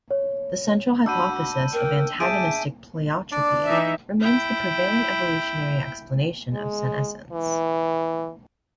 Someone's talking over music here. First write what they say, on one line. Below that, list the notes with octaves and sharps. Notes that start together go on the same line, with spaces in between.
The central hypothesis of antagonistic pleiotropy remains the prevailing evolutionary explanation of senescence.
C#5
D4 F#4 B5 E6 G6 D#7
B5
A#4 G5
G#4 D5 E5 G#5 A5 G6 D7 D#7
D4 D5
E3 D#4 E5
E4 G5
G#3
E3